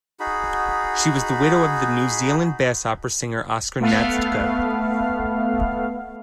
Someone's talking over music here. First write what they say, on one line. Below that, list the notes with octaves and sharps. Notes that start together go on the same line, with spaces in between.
She was the widow of the New Zealand bass opera singer Oscar Natzka.
D#4 F#4 G#4 B5
A3 B3 F5